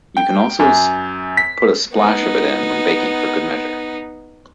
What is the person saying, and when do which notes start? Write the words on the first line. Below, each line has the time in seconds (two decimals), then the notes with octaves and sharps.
You can also put a splash of it in when baking for good measure.
0.17 G5
0.59 F#2
1.37 B6
1.94 B3 D#4